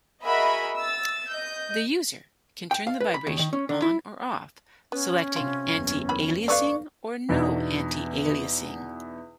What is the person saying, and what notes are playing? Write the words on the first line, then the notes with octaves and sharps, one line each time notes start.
The user can turn the vibration on or off, selecting anti-aliasing or no anti-aliasing.
F#4 G#4 A#4 D#5 E5 B5
E6 A6
D#5 G6
G5
F5
B4
B5
D#2
D#3
C#4
D3
E4
B3 C#4
C3 F4
F#1 E2
D#3 E3 B5
A4 B4 D5 F5 C#6
E2 B2 D4 D#4